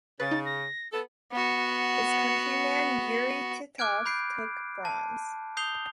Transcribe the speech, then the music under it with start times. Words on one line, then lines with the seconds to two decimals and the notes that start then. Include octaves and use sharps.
His countryman Yury Titov took bronze.
0.20 C#3 B4 A6
0.31 D#4
0.45 A#6
0.92 B3 A4
1.32 B3 F#4
3.78 D6 F6 F#6 G#6 D7
4.06 B5 G6 C7 D7
4.85 A5
5.57 D#6 G6 C7 F7 G7